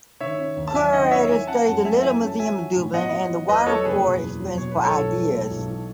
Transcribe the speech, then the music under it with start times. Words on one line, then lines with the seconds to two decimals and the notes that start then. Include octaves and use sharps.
Curators studied the Little Museum of Dublin and the Waterford Experience for ideas.
0.20 D#3 C#5 E5
0.38 C#4
0.57 D#2
0.68 A5
0.75 F#3 E5 G#5
0.93 D#3 D#5 F#5
1.11 C#4 C#5 E5
1.29 E3 E5 G#5
1.47 C#4 F#5 A5
1.66 F#2 F#5 A5
1.84 A3 E5 G#5
1.93 F#5
2.02 E3 E5 G#5
2.20 C#4
2.27 A5
2.39 F#3 E5 G#5
2.57 F#4
2.76 A2
2.94 B3 D#5 F#5
3.12 F#3
3.30 F#4
3.48 E2 B4 D#5
3.66 F#3 A4 C#5
3.81 A4
3.85 F#1 G#4 B4
4.03 B2
4.22 E2
4.40 F#3
4.58 B2 C#5
4.72 B1 B4
4.84 A4 C#5
4.95 B1
5.13 G#3
5.31 B2
5.50 B1
5.68 E3